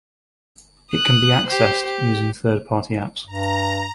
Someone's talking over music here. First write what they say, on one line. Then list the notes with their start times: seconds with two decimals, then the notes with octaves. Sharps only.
It can be accessed using third party apps.
0.92 D#6 F#6
1.47 G4 C5
1.86 G4
3.27 G2 A#5